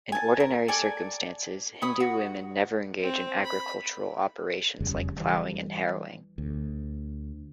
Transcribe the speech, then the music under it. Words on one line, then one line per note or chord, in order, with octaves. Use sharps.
In ordinary circumstances Hindu women never engage in agricultural operations like ploughing and harrowing.
G#5 A5
A#4
A4 D5 G#5
C#5 D#5 B5 D#6
F#4
C4
B5
E1 F2 C#3 G3
E3 G3
D2